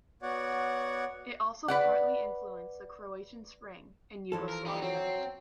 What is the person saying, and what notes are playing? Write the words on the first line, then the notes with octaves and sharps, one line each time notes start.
It also partly influenced the Croatian Spring in Yugoslavia.
B3 F#4 C#5 D5 F#5
B4 D5 F#5
E3 F3 A4
A#4
G3 D#4 G4
F#3 C4